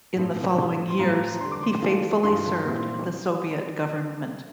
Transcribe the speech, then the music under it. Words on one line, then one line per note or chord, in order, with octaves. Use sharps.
In the following years, he faithfully served the Soviet government.
A2 F3 C4 E4
A2 G3 C4 E4
C6
A2 F3 C4 F4 A#5
D3 G3 D4 C6
D6
C6
E3 A3 D4 F4
G2 E3 G3 D4 F4 C6
A#2 G3 C4 E4